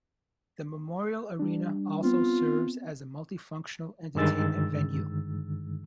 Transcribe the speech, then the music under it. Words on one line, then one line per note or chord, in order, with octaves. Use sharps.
The Memorial Arena also serves as a multi-functional entertainment venue.
G3 D4
B3 C4 F4
G2 D3 D#3 G#3 E6 A6